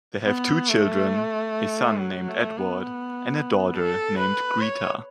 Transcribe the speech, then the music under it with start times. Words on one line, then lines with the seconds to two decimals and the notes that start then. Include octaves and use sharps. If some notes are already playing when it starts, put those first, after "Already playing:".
They have two children, a son named Edward and a daughter named Greta.
0.25 B3
0.69 A3
1.99 F#3
2.29 A3
2.58 B3
3.74 A4
4.18 B4
4.62 C#5